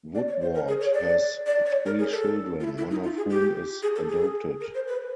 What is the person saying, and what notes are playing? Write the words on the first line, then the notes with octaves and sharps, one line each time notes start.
Woodward has three children, one of whom is adopted.
D5
C#5
C5
A#4
G#4
C#5
D5
D5
C#5
A#4
G#4
A4
F4
E4
E4
D#4
F4
G#4
G4
G#4
A4
G#4
A#4
C5
B4